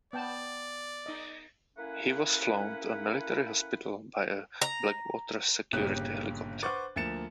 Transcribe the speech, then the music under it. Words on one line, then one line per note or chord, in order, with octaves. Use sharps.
He was flown to a military hospital by a Blackwater Security helicopter.
B3 D5 G5 A5
D#4 D#5
A3 A#3 C#4 E4 B4 F#5
A#5
G1 A#2 C#3 G4 F#6
B4 C5 F#5 C#6 D6 A6
D2 F3 A#3 A6 C#7 E7